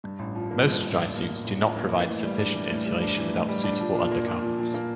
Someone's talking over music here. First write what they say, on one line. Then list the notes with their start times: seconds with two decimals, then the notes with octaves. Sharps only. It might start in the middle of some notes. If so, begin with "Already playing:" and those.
Most drysuits do not provide sufficient insulation without suitable undergarments.
0.04 G2
0.19 A1
0.35 F3
0.51 A#3
0.66 G2
0.82 A1
0.98 F3
1.14 A#3
1.29 G2
1.44 A1
1.61 F3
1.76 A#3
1.92 E3
2.07 A2
2.23 G3
2.38 D4
2.54 E3
2.70 A2
2.86 G3
3.02 D4
3.17 E3
3.33 A2
3.49 G3
3.63 D4
3.79 F3
3.95 A#2
4.11 A#3
4.26 A#2
4.42 F3
4.59 A#2
4.74 A#3